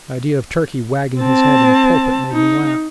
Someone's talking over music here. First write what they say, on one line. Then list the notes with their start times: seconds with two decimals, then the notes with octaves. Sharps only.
The idea of Turkey wagging his head in a pulpit made me laugh.
1.21 C4 A5
2.33 D#4